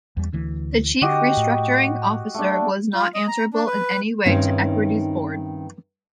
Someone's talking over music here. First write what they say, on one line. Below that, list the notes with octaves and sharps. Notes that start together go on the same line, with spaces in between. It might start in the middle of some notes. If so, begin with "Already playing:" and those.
The chief restructuring officer was not answerable in any way to Equity's board.
E2 G3
D2 E3
D3 F#4 G4 D#5
A2
A3 D4
F4
D#5
A#5
D4
B4
G2 D#3 C4 C#4 D#4 E4